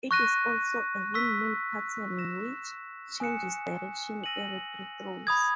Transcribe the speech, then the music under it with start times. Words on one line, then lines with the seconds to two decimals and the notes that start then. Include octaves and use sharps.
It is also a windmill pattern which changes direction every three throws.
0.11 C#6 F#6 A#6 D#7
1.14 C#6 E6 B6
2.17 E6 A#6 E7
3.20 G#5 D#6 F#6 C#7 E7
4.24 E6 A#6 D#7 F#7
5.27 B5 D#6 G#6